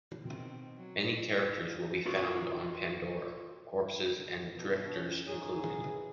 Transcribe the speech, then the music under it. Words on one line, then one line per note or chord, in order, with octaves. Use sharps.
Many characters will be found on Pandora, corpses and drifters included.
B2 D#3 C4
F#3
F4 F#4 A#4
B2
C#4
G#2 C#4 D#4 G#4
D#2 E3